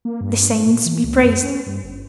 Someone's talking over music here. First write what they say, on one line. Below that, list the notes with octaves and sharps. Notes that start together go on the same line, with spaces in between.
The saints be praised!
A#3
G2
G#2
A#2
E3
C#2
F#2
C#4
G2
G1